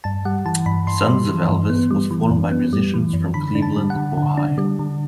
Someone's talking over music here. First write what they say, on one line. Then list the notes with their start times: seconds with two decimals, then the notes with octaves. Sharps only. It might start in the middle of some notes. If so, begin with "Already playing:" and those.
Sons of Elvis was formed by musicians from Cleveland, Ohio.
0.04 G2 A5
0.25 G3 F#5
0.46 E3 A5
0.66 G2 B5
0.87 G2 C6
1.07 G3
1.29 E3
1.48 G2
1.70 B3
1.91 G3
2.11 E3
2.31 F#2
2.52 B3
2.73 G3
2.94 E3
3.13 F#2
3.34 D3 B5
3.55 D4
3.62 A5
3.76 G3
3.90 F#5
3.96 D3
4.17 D3
4.37 D4
4.58 G3
4.79 D3